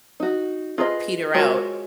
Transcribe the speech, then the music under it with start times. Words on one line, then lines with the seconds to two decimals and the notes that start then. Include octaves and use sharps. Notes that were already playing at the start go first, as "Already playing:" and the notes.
peter out
0.20 D#4 F#4
0.78 F4 G#4 B4 D5 D#5
1.34 G#3 F4 F#4 A#4 C#5